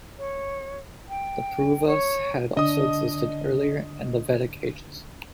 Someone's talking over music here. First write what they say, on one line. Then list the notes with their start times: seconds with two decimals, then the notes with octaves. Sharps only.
The Pauravas had also existed earlier in the Vedic Ages.
0.18 C#5
1.09 G5
1.87 C#5
2.57 D3 D4 D#5 D#6